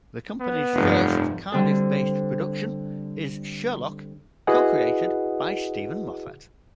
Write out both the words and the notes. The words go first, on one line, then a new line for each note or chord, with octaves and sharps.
The company's first Cardiff-based production is "Sherlock", co-created by Steven Moffat.
B3
F1 G2 F3
D3 G3 C4 D4 A4
E4 F#4 G#4 B4 D#5 F#5